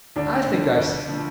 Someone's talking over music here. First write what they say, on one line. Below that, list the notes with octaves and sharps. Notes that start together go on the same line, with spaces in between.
I think I see.
D2 D4
D3 F3
D2
D3 F3